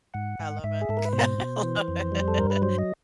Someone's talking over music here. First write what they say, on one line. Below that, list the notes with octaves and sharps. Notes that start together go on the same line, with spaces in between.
I love it. I love it.
G#2 F#5
G#2
G#2 E5
G#4
G#2 A4
A#4
B4
B2 C5
B2
E3
F2
G3
A4
G2 A#4
B4
F#3 C5
D#5